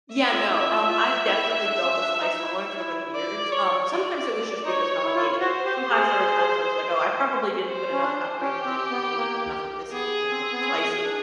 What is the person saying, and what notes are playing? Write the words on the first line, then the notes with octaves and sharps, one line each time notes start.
Yeah, no, um, I've definitely built a spice tolerance over the years, um, sometimes it was just because how I made it, sometimes there were times I was, like, "Oh, I probably didn't put enough paprika in or I didn't put enough of this in to make it spicy."
E5
F4
E4
F4
F4
E4
D4
C#4
D4
D#4
E4
E4
D5
C#5
D5
D#4 C#5
E4
F4
F#4 C5
G4
G#4
C5
C#4
D4
C#4 G4
C4
B3
A#3
B3 G#4
C4
B3
C4
C#4
D4